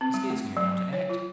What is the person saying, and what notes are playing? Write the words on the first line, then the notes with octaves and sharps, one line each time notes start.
He scarce knew how to act.
C4
G3
A3
F#3
C#5
F4